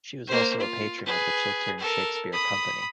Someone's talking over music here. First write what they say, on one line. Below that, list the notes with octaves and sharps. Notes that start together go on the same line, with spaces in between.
She was also a patron of the Chiltern Shakespeare Company.
A#3 C5
F4
G#4 B4
A4 A#4
B5 D#6